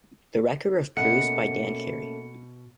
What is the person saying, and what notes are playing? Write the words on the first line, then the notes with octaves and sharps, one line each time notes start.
The record was produced by Dan Carey.
B2 A3 A#3 C#4 D#5 F#5 C#7